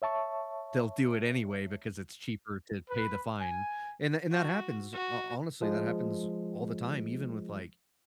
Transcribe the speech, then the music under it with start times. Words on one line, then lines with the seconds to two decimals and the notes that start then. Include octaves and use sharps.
They'll do it anyway because it's cheaper to pay the fine, and th and that happens. Ho honestly, that happens all the time even with, like,
0.02 C#5 E5 A5 C#6
2.89 B4
3.40 G#5
4.31 F#4
4.93 F#4
5.62 F3 G#3